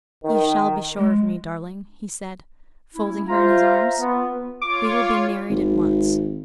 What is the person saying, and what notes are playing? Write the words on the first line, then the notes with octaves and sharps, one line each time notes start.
"You shall be sure of me, darling," he said, folding her in his arms. "We will be married at once."
D#3
G#3
A3 C#4 E4
F4 C5 E5 A#5
B3 F4
F4 C#5 D6
G#1